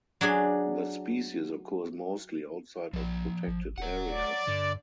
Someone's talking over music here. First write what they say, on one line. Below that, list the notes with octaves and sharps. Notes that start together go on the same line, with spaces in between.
The species occurs mostly outside of protected areas.
F#3 D4 G#4
A#1 F3 D5
G#1
D#1 C#5 F#5
D5
G2 D3